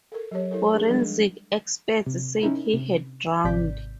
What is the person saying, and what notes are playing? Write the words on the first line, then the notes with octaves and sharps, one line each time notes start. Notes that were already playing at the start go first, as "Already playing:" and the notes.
Forensic experts said he had drowned.
A4 A#4
F#3 G4 C#5
E4 A4 A#4
D4 D#4 G#4
F3 G3 G#3 D4 A#4
C3
C#4 D#4 E4 A#4
C3
G#1 C3 D5 G6 B6